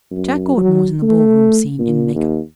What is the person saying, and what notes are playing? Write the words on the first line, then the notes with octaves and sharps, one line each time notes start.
Jack Gordon was in the ballroom scene in make-up.
F#2
F#3
A3
A#2
D#2